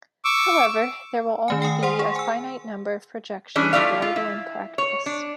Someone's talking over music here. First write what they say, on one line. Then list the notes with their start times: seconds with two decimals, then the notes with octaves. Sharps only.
However, there will only be a finite number of projections available in practice.
0.25 C#6 D6 E6
1.48 D#3 A3 G#5
1.62 G5 G#5 D#6
1.83 C5 F#5 C6
1.99 G#4
2.16 G#5 E6
3.55 E3 C#4 D4 G#4
3.73 F3 A3 D#4 E4 D5 F5
4.02 F4
4.16 E4
4.78 C#5
5.06 D4